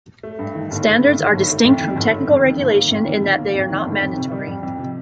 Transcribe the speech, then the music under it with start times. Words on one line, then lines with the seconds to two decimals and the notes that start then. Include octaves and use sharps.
Standards are distinct from technical regulation in that they are not mandatory.
0.23 A3
0.39 G2
0.55 D#3
0.71 G1
0.86 A3
1.02 G2
1.18 D#3
1.33 G1
1.50 A3
1.65 F2
1.80 D#3
1.96 G1
2.11 A3
2.28 F2
2.43 D#3
2.59 G1
2.74 A#3
2.91 F2
3.06 D#3
3.22 G1
3.38 A#3
3.54 F2
3.69 D#3
3.84 G1
4.01 F2
4.17 C3
4.32 G3
4.47 F2
4.63 F2
4.79 C3